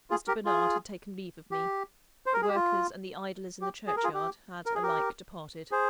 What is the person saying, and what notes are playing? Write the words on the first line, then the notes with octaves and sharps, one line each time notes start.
Mr. Bernard had taken leave of me; the workers and the idlers in the churchyard had alike departed.
F4 G#4
G4 A#4
F4 G#4
G4
C5
A#4
G#4
G4
F4
G4
G#4
A#4
F4 G#4
G4
A#4
G#4
G4 A#4
G#4 C5